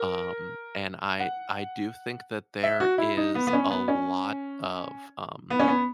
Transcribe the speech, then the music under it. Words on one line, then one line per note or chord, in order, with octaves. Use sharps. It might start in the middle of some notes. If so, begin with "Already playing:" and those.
Um, and I I do think that there is a lot of, um
Already playing: A#4
F#5
E5
F#4
E4
D#4
B3
B3
C#4
B3
C#4
B3
C#4
B3